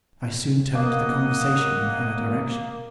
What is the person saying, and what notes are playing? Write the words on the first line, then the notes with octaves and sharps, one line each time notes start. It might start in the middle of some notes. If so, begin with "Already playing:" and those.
I soon turned the conversation in her direction.
A#3 D#5 F#5 D#6